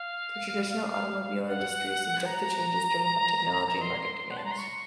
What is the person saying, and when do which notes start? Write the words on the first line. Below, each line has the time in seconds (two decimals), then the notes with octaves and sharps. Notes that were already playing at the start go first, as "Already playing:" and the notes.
The traditional automobile industry is subject to changes driven by technology and market demands.
Already playing: F5
0.71 F5
0.91 F5
1.48 F#5
2.26 A#5
3.81 C6
4.30 F#5
4.37 A5
4.44 A#5
4.51 C6
4.58 C#6